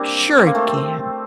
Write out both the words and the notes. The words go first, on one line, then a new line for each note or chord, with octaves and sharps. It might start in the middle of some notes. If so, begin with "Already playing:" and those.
Sure it can.
Already playing: G3 A#3 C4 D4
C4
A#3
A3 C4